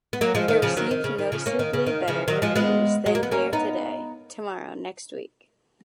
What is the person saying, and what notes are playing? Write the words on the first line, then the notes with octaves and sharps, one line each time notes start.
It received noticeably better reviews than Here Today, Tomorrow Next Week!
B3
F#3 A#3
F3 G#3
D#3
C#3 F3
D#3 F#3
D#3
C#3
D#3
C#3 F3
A#3 C#4
D#3
C#3
D#3
C#3 F3
D#3 F#3
F3 G#3
G#3 B3
G#3
A#3
B3
A#3 C#4
B3 D#4